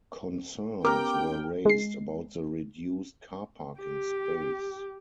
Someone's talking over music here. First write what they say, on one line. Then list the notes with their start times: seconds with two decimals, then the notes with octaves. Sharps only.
Concerns were raised about the reduced car parking space.
0.85 B3 C#4 G4 A#4 G5 D6 F6
1.65 G#3 C7
3.80 G4